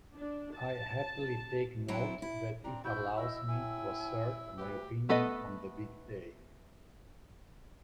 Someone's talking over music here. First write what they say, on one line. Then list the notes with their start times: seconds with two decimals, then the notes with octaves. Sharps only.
I happily take note that it allows me to assert my opinion on the big day.
0.15 D4
0.56 A5
1.88 F#3 C4 D4 E4
2.22 E4
2.64 C4 D4 A#5
2.84 E4 F#4 G6
3.16 E4 D#5 E6
3.48 A2 E4 G#5
4.58 D2 G4 B4
5.09 A3 B3 A4 B4 D#5